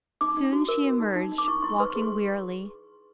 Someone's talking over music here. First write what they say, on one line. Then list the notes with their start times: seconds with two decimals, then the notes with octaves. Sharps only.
Soon she emerged, walking wearily.
0.21 D#4 D6
0.37 D#4
0.53 F#4
0.68 A#4
0.84 F#4
1.00 D#4
1.16 D#4
1.32 D#4
1.38 D6
1.48 E4 C#6
1.62 E4 C6
1.69 C#6
1.80 B4
1.90 C6
1.95 G#4
2.02 C6